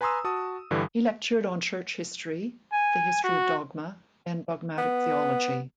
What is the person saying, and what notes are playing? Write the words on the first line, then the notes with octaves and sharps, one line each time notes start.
He lectured on church history, the history of dogma, and dogmatic theology.
B4 G#5 A#5 C6 D#6 E6
F#4 A5 D#6
G2 D3 E3 G3
G#5
F#4
B3